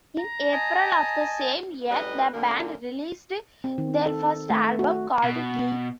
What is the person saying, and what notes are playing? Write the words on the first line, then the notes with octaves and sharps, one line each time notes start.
In April of the same year, the band released their first album, called "Glee".
A#5
D#5 G#5 A5
F#2 A2 G3 B4 D#5
F#2 D3 A#3
C4
D#3
A4
A3
F#4
B2